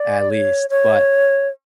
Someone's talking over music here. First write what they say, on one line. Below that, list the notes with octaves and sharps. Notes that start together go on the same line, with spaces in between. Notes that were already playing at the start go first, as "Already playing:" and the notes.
At least, but,
Already playing: D5
C#5
C#5